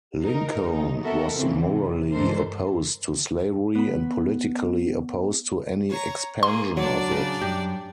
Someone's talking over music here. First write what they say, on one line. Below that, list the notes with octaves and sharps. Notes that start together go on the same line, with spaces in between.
Lincoln was morally opposed to slavery and politically opposed to any expansion of it.
D#4 A#4
D#2 D#4
B3 D#4 F#4 A4 A#4 E5
C#3 E3 C4
C3
G2 E3 G#3 A4 A#4 C5
B3 B5
C#5 A#5
A#3 G#4 C6
F#3 D4 D5
C#3
F#2 G4